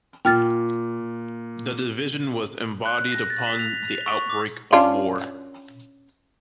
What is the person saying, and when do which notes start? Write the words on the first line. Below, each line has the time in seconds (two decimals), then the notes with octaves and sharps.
The division was embodied upon the outbreak of war.
0.25 A#2 G5 F6 A6
2.85 F#6
3.12 A#6
3.30 A6
3.47 B6
3.59 F7
3.88 F7
4.06 C#6
4.30 D6
4.73 C#4 D4 F4